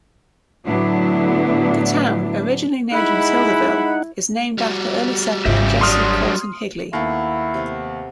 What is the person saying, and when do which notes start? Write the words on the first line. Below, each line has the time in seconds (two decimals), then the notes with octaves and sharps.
The town, originally named Matildaville, is named after early settler Jesse Colton Higley.
0.64 A2 D3 F#3 B3 D4 E4
2.92 G#3 D#4 E4 F#5 B5
4.58 G3 F#4
5.46 G#1 C#3 F4 G4 E5
5.81 F#3 D4 C6 D#6 F6
6.93 D#2 A3 B3 E4
7.54 C3 B3